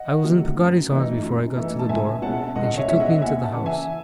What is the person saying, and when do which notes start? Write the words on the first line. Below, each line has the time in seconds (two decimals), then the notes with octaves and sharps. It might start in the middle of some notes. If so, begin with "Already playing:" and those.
I was in Peggotty's arms before I got to the door, and she took me into the house.
Already playing: D#5 F#5
0.24 D#3 F#3 A3
0.57 F#2
0.90 E3 A3 D#4
1.23 F#2
1.56 E3 A3 D#4
1.79 A5
1.89 C#2 E5 G#5
2.22 B2 G#3 C#4 E4 F#5 A5
2.55 C#2 D#5 F#5
2.77 C#5 E5
2.88 B2 G#3 C#4 E4 E5
3.00 D#5 F#5
3.15 F#5
3.21 D#2 E5 G#5
3.43 F#5 A5
3.54 C#3 E3
3.66 E5 G#5